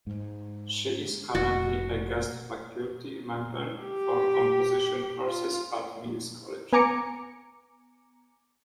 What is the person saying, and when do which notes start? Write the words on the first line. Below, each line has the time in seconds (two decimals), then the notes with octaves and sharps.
She is currently a guest faculty member for composition courses at Mills College.
0.07 G#2
1.35 F1 F#4
3.83 G4
5.26 F4
6.73 B3 G#5 A#5 D6 C#7